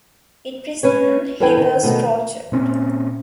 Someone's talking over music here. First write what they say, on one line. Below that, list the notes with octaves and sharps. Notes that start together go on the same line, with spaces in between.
In prison, he was tortured.
C#4 B4 C#5
E2 A4 B4 C5 G5 G#5
D#3
B2 D#3 A3 B3
A#2 C4 C#4